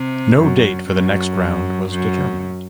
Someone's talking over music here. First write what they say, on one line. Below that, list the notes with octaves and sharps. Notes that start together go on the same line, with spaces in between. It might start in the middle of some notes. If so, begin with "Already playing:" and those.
No date for the next round was determined.
Already playing: C3
F#2
F#2
F#2